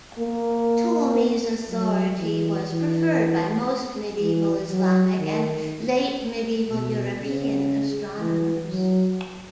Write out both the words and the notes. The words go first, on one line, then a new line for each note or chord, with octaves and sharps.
Ptolemy's authority was preferred by most medieval Islamic and late medieval European astronomers.
A#3
F#3
E3
E3
E3
F#3
D#3
B2
C#3
E3
F#3